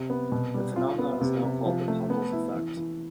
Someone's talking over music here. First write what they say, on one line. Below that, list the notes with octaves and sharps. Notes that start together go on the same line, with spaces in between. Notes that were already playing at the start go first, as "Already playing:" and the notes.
This phenomenon is now called the Pockels effect.
Already playing: C3
B3
B2
G3
F4
B3
C3
C3
F3
A3
B3
E4
E3
E3